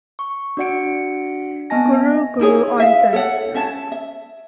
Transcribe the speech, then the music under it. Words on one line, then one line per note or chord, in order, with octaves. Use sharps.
Guru Guru Onsen.
C#6
D4 F#4 D5 F#5 C#7 D7
B3 C4 D#5 G#5 A5 A#6
E5
D#4 E4 G#4 C#5
B4 E5 F5
A4 C#5 F#5
C#4 E5 A5
E5